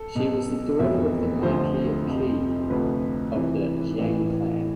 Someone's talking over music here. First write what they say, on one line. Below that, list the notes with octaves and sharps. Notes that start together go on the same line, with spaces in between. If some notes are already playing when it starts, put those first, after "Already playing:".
She was the daughter of the Marquis of Qi of the Jiang clan.
Already playing: A4
B1 B2
F1 E2 B2 E5
D2 D3 F3 C5
F1 F2 C3 F3
D2 C3 F3 B4
C2 C3 E3
A1 A2 E3